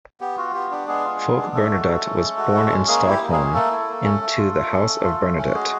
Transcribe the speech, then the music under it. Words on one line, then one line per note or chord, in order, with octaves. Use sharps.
Folke Bernadotte was born in Stockholm into the House of Bernadotte.
B3 G4
F4 F#4
B3 G4
D4 G4
G#3 B3 G#4
F4
B3
D4
G#3 A3 A4
F#4
G#3
C#4
G#3
F#4
G#3
C#4
G#3 A#3 G#4
E4
G4
A#3
G#3 G#4
C#4
A3 A#3 A4
E4
A#3
C#4
A3
F4
A3
C#4
A3
F4
A3
C#4
G#3 F#4 G#4